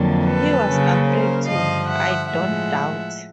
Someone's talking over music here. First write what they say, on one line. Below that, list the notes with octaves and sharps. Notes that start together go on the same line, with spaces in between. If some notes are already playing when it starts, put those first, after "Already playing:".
He was afraid to, I don't doubt.
Already playing: F2 D3 F#3 A#3
A4 B4
C#3 F#3 A#3 C#4
A#4 C5
G2 D3 F3 D#5 F5
E5 F#5
A2 F3 G#3 E5 F#5